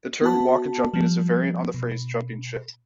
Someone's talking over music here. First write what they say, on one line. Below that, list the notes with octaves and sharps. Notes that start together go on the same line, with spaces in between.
The term waka-jumping is a variant on the phrase "jumping ship".
B3 F#4 A5
F3 G3
B2